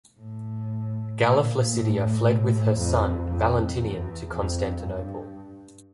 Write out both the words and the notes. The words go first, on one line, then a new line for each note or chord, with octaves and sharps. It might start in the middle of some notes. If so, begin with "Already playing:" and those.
Galla Placidia fled with her son Valentinian to Constantinople.
A2
A#2
A2
F2
F2
E2
F2
G2